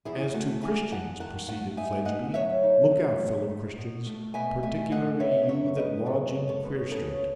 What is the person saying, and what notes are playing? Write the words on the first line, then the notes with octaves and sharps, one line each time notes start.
'As to Christians,' proceeded Fledgeby, 'look out, fellow-Christians, particularly you that lodge in Queer Street!
E2 E4 G#4
A3 F#4 A4
E2 E5 G#5
E2 F#5 A5
D#3 F#5 A5
A3 F#5 A5
D#4 E5 G#5
A3 D#5 F#5
F#3 C#5 E5
D#4
F#3
A3
D#4
B2
A3
B2 E5 G#5
A3 E5 G#5
A3 D#5 F#5
B3 C#5 E5
F#2 C#5 E5
B3 B4 D#5
F#2 A4 C#5
G#3
A4 C#5
B3
C#3 A4 C#5